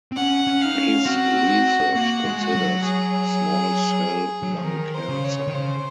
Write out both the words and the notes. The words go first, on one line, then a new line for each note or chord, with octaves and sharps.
His research considers small cell lung cancer.
C4
C#4 F#5
C#4
D#4 F5
C#4
C4 F#4
A#3 F#4
G#3
F#4
F#3
G#4
F#3
F3
D#3 A#4
C5
C#3
C#5
D#3
C#3 C5